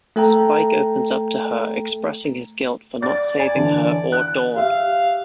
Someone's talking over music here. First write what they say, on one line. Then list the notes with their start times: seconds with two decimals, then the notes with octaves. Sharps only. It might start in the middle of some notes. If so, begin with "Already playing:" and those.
Spike opens up to her, expressing his guilt for not saving her or Dawn.
0.16 A3 A4 G5 A#5
3.02 D5 A6
3.40 G#5
3.56 D3 E3
4.12 F#6
4.56 G4 E5 F5